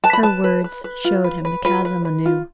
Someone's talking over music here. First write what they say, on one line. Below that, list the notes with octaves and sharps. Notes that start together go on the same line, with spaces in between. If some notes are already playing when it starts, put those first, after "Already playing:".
Her words showed him the chasm anew.
B4 A5
B5
B4 A5
B4
B4
B4
F4
B4
B4
F4 B4
B4
B4
F4